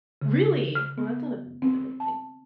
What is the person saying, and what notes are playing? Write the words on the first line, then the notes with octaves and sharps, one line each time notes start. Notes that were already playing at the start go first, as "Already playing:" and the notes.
Really? Well, that's not a bad thing to look like.
C#3
F6
B3
C4
A5